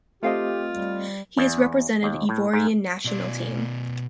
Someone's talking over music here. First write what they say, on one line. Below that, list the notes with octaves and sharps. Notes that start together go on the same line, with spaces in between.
He has represented Ivorian national team.
A3 C4 F4 G4 A4 D#5 F5 G5
G3
E2
D#2
A2
G#2
B2 D5